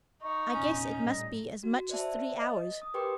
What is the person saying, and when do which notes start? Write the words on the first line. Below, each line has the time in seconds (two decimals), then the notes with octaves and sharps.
I guess it must be as much as three hours.
0.22 D#4 C#6
0.54 A#1 E2 C3 C#4
1.01 A2 G3 D#5
1.63 F#4
1.89 C5 D5 E5 A5
2.40 D#5
2.82 D#6
2.94 G4 A#4 B4 G5 C6 D6